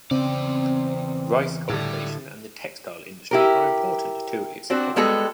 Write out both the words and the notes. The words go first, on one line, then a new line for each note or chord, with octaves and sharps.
Rice cultivation and the textile industry are important to its economy.
E2 C#3 C4 D5
A2 D3 G3 G4
E4 G4 A#4
C4 D4 F#4
G3 G#3 B3 F#4 A4